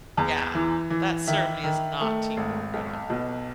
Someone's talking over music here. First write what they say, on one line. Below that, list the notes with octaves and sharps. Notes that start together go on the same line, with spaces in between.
yeah, that certainly is not teamwork at all.
E2
E3
E3
D#3 E5
D#3
A3
G#1
B1
B2